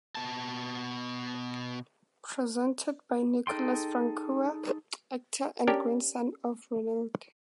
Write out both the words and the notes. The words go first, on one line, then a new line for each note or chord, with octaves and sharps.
Presented by Nicholas Frankau, actor and grandson of Ronald.
B2 A5
D#4 G#4 A4 G5 C6
C#4 D4 G4 A#4